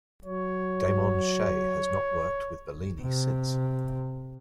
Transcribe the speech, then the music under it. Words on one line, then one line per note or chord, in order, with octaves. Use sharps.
Damon Che has not worked with Bellini since.
F#3 C#5
C3